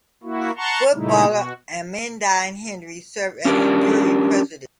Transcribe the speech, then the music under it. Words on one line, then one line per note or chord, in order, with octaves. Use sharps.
Footballer Amandine Henry served as the jury president.
A#3 E4 F#4
F#5 A5 A#5 C6 C#6
A#2 C#3 G3 A3 D#4 E4
B2 F#4
C#4 D4 G4 A#4